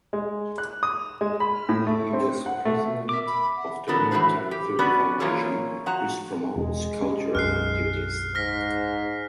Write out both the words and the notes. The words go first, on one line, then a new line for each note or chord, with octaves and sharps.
He was President of the Winterthur Foundation, which promotes cultural activities.
G#3
F#6
D#6
G#3
B5
A2
A3
C4
F#5
A3
A#4 E5 D6
B5
F#5
D3 E3 F#3 B3 A4 A#4
E3 G3 E4 F#4 B4 C5
G4
B3 C#4 F#4 B4 C#5 D5
E3 A#3 C#4 F4 G#4 C#5
F3 F#4 F#5 A#5
E1 G#3
C#4
B1 F#2 F6 F#6 C7
G#2 F6 A#6 B6